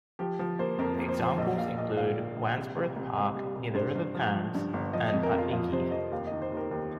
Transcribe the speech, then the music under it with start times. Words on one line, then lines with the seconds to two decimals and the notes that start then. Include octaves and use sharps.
Examples include Wandsworth Park near the River Thames and Putney Heath.
0.19 F3 G4
0.39 F3
0.59 A#3 C5
0.78 F2 A#4
0.94 A#3 A#4
1.08 C5
1.19 F3 C5
1.38 A#1 D#5
1.58 A#2 F5
1.77 A#2 D#5
1.97 A#2 F5
2.17 A#2
2.36 A#1
2.56 C2
2.77 C2
2.96 C2
3.16 C2 D#5
3.35 G3
3.56 C2
3.74 G2 C5
3.95 G2
4.15 F3
4.34 F3
4.55 G2
4.73 G1
4.93 F3 D#5
5.08 F2 D#5
5.23 A#4
5.33 F2
5.38 F4
5.52 F3 F4
5.72 C3 C5
5.92 F2 D#5
6.11 D#2 F5
6.27 D#3 D#5
6.42 C5
6.52 D#2
6.57 A#4
6.71 D#2